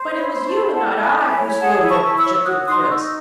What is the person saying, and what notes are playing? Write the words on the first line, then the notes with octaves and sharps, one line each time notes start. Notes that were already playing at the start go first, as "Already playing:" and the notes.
'But it was you, and not I, who slew him,' objected the prince.
Already playing: C5
E4
C#5 E5
C5
C6
A5 C#6
E4
A4 F#5 A5
E4
E5 G#5
E4 A5
E5 G#5
C#5
G#4 F#5 A5
E4
A5 C#6
E4
C#6 E6
C#5
F#4 D#6 F#6
D#4 C6 D#6
F#6
D#4 C#6 E6